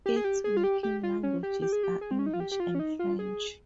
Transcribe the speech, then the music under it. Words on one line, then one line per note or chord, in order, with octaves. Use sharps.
Its working languages are English and French.
G4
G#4
G4
G#4
F4
G4
G4
F4
C#4
G4
G4
G#4
G4
G#4
C4
C#4
D#4
F4
G4
G4
F4
C#4
D#4
F4
G#4